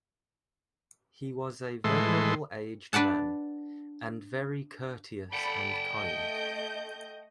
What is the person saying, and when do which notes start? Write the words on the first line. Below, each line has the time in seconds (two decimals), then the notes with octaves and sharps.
He was a "venerable aged man", and very courteous and kind.
1.84 A2 E3 G#3 A4 C6
2.93 D4 B4 D5 F#5 A5
5.33 A4 D5 F#5 G5 B5
5.93 A3 D#5 G6